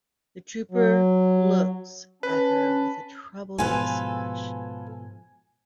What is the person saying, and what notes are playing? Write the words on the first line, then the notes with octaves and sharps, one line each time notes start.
The trooper looks at her with a troubled visage.
F#3
C#4 B4 A5
G#2 B2 F3 F4 A4 B4 G#5